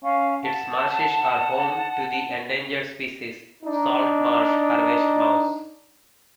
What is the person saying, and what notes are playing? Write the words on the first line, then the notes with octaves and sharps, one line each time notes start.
Its marshes are home to the endangered species Salt Marsh Harvest Mouse.
C#4 F5
F#5 A5
D4 D#4